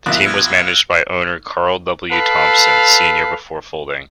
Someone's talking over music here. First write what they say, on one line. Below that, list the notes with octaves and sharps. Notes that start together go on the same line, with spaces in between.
The team was managed by owner Carl W. Thompson, Senior before folding.
A#1 B2 E4 F#6 A#6
E6 F6 G#6
A4 B4 F5